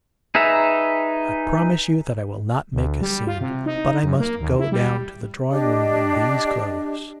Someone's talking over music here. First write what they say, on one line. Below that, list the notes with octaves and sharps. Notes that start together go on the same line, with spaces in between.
I promise you that I will not make a scene, but I must go down to the drawing-room in these clothes.
D#4 G#4 B4 E5 A#5
D2
G3
F4
C3
D#4
F#2
A#3
D#2
E4
G3
D4 G4 D#5